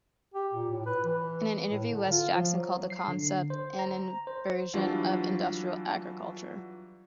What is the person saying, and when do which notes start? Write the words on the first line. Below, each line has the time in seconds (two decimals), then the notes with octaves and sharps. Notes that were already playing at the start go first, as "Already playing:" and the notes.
In an interview, Wes Jackson called the concept an inversion of industrial agriculture.
0.34 G4
0.53 A#2
0.70 A2
0.86 B4
1.04 E3
1.69 A2
1.89 D3
2.10 F4
2.34 F3
2.58 F#3
2.90 C7
3.08 D3
3.50 C5
3.79 A#5
4.27 C5
4.73 E3 F#3 G3 D4 F4 F#4